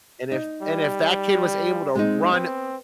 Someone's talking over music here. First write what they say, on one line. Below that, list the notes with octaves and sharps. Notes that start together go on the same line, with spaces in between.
and if And if that kid was able to run
D#4
G3
G#3 C4 D#4
B3 C4